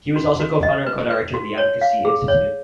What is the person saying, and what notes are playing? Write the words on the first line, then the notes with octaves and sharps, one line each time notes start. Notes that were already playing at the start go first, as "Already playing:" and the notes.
He was also co-founder and co-director of the Advocacy Institute.
F#4
F#4
D#5
B4
B4
F#4
C#5
F5
G#4
C#5